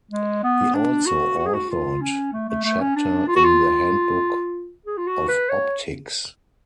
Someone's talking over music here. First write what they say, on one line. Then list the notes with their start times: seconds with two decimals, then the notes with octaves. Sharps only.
He also authored a chapter in the Handbook of Optics.
0.11 G#3
0.43 B3
0.75 D4
1.06 F#4
1.38 F#4
1.46 G#4
1.54 F#4
1.70 F4
2.01 C#4
2.33 A3
2.49 A3
2.64 A3
2.80 C#4
2.96 D4
3.28 F4
3.36 F#4
3.44 F4
4.86 G#4
4.97 F4
5.07 F#4
5.28 B4
5.49 C#5